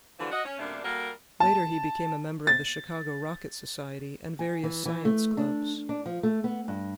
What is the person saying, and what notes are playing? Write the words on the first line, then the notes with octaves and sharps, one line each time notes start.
Later he became a member of the Chicago Rocket Society and various science clubs.
D3 E3 F3 G3 D4 F#4
F#4 D#5
C#4
F#2 C3 A3 A#3 D4
G3 A#3 F#4 A4 A#4
A5
A6
G#5
E3
E3
A3
D4
D4
F3
A3
B3
G2